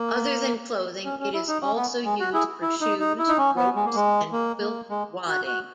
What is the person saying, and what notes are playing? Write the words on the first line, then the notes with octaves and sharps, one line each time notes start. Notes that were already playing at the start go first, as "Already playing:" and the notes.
Other than clothing, it is also used for shoes, ropes, and quilt wadding.
Already playing: A#3
C#4
C#4
E4
D#4
C#4
B3
G#3
F#4
E4 G#4
E4
D#4
D#4
E4
D#4
C#4
B3
G#3
A#3
G#3
A#3
A#3
G#3
F#4
F#4